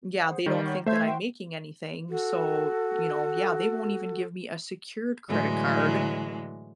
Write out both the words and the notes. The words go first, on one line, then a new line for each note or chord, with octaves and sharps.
Yeah, they don't think that I'm making anything, so, you know, yeah, they won't even give me a secured credit card,
G#4 C5 F#5
D#3 G3 D5 C6 C#6
C#5 F#5 C#6
A3 C5 E5 C6 G6 G#6
F#4 G5 C6
F#4 A4
A2 D3 E3 F#3 G#3